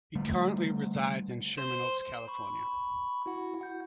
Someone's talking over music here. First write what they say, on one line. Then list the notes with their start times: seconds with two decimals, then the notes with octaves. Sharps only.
He currently resides in Sherman Oaks, California.
0.15 D3 G3 A3
1.58 C5
2.28 B5 C#6
3.26 E4 F#4 F#5
3.61 F#5 G6